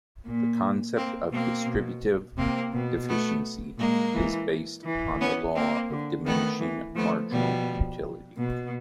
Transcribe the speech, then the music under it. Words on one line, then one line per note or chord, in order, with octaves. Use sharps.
The concept of distributive efficiency is based on the law of diminishing marginal utility.
A#2
A#3 C4
B2 A#3 C4
B2
C3 A#3 C4
B2
A3 B3
A#2 G#3 A#3
E3
E3
B3 C#4
A#3 C4
D3
D#3 A3 B3
E3
F3 A3 B3
B2 F3 G3
B2